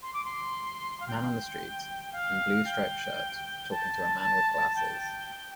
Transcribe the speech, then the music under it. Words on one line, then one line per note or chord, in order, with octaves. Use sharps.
Man on the street, in blue striped shirt, talking to a man with glasses.
C6
D6
C6
F5
G5
F5
G5
A5
G5